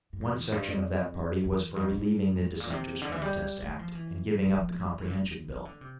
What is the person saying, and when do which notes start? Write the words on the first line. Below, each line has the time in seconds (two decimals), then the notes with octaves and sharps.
One section of that party was for relieving the dissenters from the Test Act, and giving up the Comprehension Bill.
0.13 G2
0.21 F2
0.36 E2
0.52 G2
0.68 F2
1.45 E2
1.76 F2
1.92 A2
2.60 A#2
2.70 C3
3.02 D3
3.12 E3
3.22 G3
3.63 A3
3.79 F3
3.95 E3
4.45 E3
4.57 F3
4.88 F3
4.98 E3
5.08 D3
5.17 E3
5.50 E3
5.65 D3
5.81 C3